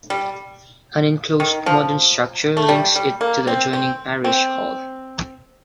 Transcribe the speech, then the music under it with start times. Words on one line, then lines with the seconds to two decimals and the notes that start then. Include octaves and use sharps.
An enclosed modern structure links it to the adjoining parish hall.
0.10 G3
1.40 D#3
1.66 F3
2.57 A3
2.69 G3
2.96 G3
3.21 A#3
3.47 C4
3.73 C4
4.24 C4